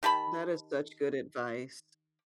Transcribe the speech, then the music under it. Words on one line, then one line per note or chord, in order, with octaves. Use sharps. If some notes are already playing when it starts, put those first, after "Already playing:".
That is such good advice.
D#3 G4 A5 B5